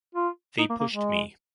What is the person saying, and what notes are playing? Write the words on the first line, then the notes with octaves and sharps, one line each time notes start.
They pushed me.
F4
D#4
A#3
A#3
G#3